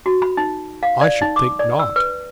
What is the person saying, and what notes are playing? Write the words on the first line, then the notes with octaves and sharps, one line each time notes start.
"I should think not."
F#4
B5
D#4
F5
D5
D#4
D6
D5
E6
B4